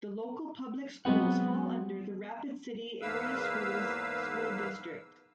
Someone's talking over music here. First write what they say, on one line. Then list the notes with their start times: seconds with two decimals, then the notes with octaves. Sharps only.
The local public schools fall under the Rapid City Area Schools school district.
1.05 F#3 G#3 B3 C4 F#5
3.02 E2 G#2 A#3 B4 F5 E6